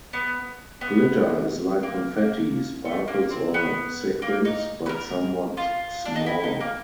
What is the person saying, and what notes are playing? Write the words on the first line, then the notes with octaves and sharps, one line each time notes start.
Glitter is like confetti, sparkles, or sequins, but somewhat smaller.
B3
B3
A#3
A#3
A3
A#3
C4
B3
A#3
D#4
B4
A#4
F4
D4
D#4
E4
D#4
A#3